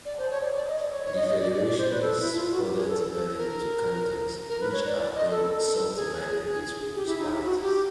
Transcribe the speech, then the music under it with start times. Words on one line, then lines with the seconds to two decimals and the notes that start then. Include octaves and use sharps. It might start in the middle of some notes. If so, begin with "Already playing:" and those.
The Federation is further divided into cantons, which are then subdivided into municipalities.
0.05 D5
0.18 C5
0.30 C#5
0.42 D5
0.55 D5
0.67 D#5
0.79 D5
0.91 C#5
1.04 C#5
1.15 D#5
1.28 D#5
1.40 D5
1.53 D5
1.66 D5
1.78 C5
1.90 B4
2.02 A4
2.19 E4
2.35 F4
2.51 F#4
2.63 G4
2.76 G#4
2.88 A4
3.14 A4
3.37 A#4
4.49 A#4
4.60 B4
4.73 C#5
4.85 D5
4.97 D5
5.15 D#5
5.31 A4
5.47 A#4
5.50 A4
5.96 G#4
6.46 G#4
6.95 G4
7.06 E4
7.19 D#4
7.32 E4
7.44 F#4
7.61 G4